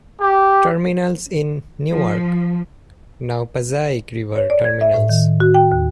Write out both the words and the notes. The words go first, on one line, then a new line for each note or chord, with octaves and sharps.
Terminals in Newark, now Passaic River Terminals.
G4
F3
C#5
D5
G#6
E5
A2
D#3
F#4
G5
D#2